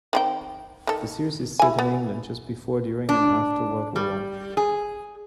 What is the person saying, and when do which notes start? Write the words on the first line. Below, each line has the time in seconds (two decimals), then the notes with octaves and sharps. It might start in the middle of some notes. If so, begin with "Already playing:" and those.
The series is set in England just before, during, and after World War One.
0.13 D#3 C4 G5
0.87 D#3 A4
1.59 E4 G#5
1.79 B3
3.09 D4
3.96 G3
4.57 G#4